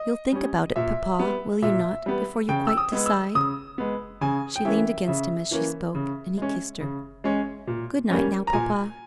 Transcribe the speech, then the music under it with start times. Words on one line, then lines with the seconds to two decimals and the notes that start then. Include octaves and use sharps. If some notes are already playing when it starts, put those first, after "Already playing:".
You'll think about it, papa,--will you not, before you quite decide?" She leaned against him as she spoke, and he kissed her. "Good night, now, papa.
Already playing: D#5
0.32 G3 C#4
0.76 A#2 E5
1.19 G3 B3
1.62 A#2 E5
2.06 G3 B3
2.48 C#3 G5
2.67 E6
2.77 D#6
2.92 G#3 B3
3.06 E6
3.35 C#3 D#6
3.78 G#3 B3
4.21 C#3 G#5
4.56 G5
4.65 E3 A#3 C#4 E5
5.07 C#3 E5
5.51 E3 A#3 C#4
5.95 C#3
6.38 G#3 C#4
6.80 C#3
7.24 G#3 C#4
7.67 A#2
8.11 G3 A#3 C#4
8.47 A#5
8.53 A#2 G#5